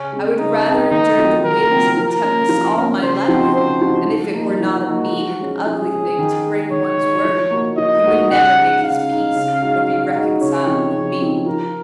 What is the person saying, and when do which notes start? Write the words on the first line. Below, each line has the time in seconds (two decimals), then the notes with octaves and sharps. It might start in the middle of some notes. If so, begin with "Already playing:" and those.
I would rather endure the winds and the tempests all my life: And if it were not a mean and ugly thing to break one's word, he would never make his peace or be reconciled with me.
Already playing: C#3 C#4
0.12 G#3 C4
0.38 C#3 D#4
0.65 G#3 C4
0.91 D#3 D#4
1.17 F#3 C4 F4
1.44 D#3 A#4
1.70 F#3 C4 F4
1.97 F3 A#4
2.23 A#3 C#4
2.49 F3
2.76 A#3 C#4
3.02 C#3 C5
3.28 F3 C4 D#4 F#4
3.55 C#3 C5
3.81 F3 C4 D#4 F#4
4.08 F3
4.34 A#3 D#4
4.60 F3 F#4
4.86 A#3 D#4
5.13 F3
5.40 G#3 C#4
5.66 F3 G#4
5.92 G#3
5.97 C#4
6.19 D#3
6.45 G#3 D#4
6.71 D#3 C#5
6.98 G#3 D#4
7.24 F3
7.51 A#3 D#4 F#4
7.77 F3 D#5
8.03 A#3 D#4 F#4
8.30 C#3 F#5
8.56 G#3 D#4
8.82 C#3 F5
9.08 G#3 D#4
9.36 C#3
9.62 G#3 D#4 F#4
9.88 C#3
10.15 G#3 D#4 F#4
10.41 C#3 C#5
10.67 F3 C4 D#4
10.94 C#3
11.20 F3 C4 D#4
11.46 F3 A#4